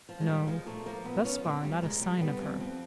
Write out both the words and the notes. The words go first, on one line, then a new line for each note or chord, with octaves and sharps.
No; thus far, not a sign of her.
F3
G#3
A#2 G3
F3 G#3
A#2 A3
F3 A#3
A#2 B3
F3 C#4
A#2 C4
F3 G3
A#2 G#3
D3 G3
G3 B3
F2 C4
F2 C4